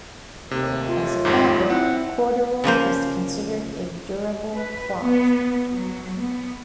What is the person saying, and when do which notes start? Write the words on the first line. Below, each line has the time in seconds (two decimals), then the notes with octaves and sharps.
As a fabric, corduroy is considered a durable cloth.
0.51 D#2 C3 A3
0.88 F4
1.25 G#1 F2 G#2
1.70 C4 E4 F#5
2.64 C#3 F3 A#3 C5
4.56 B4
5.00 B3
5.72 F#3
6.20 B3